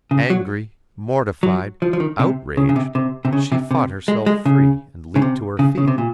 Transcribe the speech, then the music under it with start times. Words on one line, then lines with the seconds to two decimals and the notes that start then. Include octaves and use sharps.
Angry, mortified, outraged, she fought herself free and leaped to her feet.
0.11 C#3
0.30 F#3
1.43 F#3
1.82 F3
1.93 F3
2.00 D#3
2.19 C3
2.57 C#3
2.69 C#3
2.76 C3
2.95 C3
3.25 C3
3.33 C#3
3.52 C3
3.71 C3
4.08 G#3
4.26 G#3
4.46 C#3
5.16 C#3
5.22 C3
5.59 C#3
5.78 C#3
5.88 C3
5.98 A#2